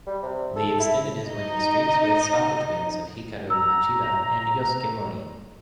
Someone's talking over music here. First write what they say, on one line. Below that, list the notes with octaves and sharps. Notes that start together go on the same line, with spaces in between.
Lee extended his winning streak with stoppage wins of Hikaru Machida and Yosuke Morii.
G3
C3
A4
E4
D#4 D#5
A#5 E6